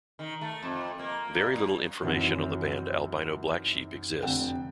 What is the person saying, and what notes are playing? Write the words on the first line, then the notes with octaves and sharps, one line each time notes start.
Very little information on the band Albino Blacksheep exists.
D#3
A3
F2
A#3
G2
F#2
F#2 C3 D#3 E3 F#3
F1 F2 D3 G5